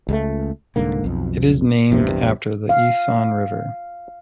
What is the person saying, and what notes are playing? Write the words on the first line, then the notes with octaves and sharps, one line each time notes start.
It is named after the Essonne River.
C#2 G3 A3
C2 G#2 D3 A#3
B1 F2
A#1 E2 G2 C3
F5